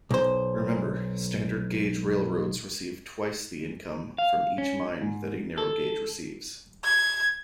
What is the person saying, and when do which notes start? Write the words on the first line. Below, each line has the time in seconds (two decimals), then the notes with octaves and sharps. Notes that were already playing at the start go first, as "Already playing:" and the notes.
Remember, standard-gauge railroads receive twice the income from each mine that a narrow-gauge receives.
0.11 B1 C5
4.18 F5
4.58 C#4
5.02 G#2
5.58 A4
6.84 G#6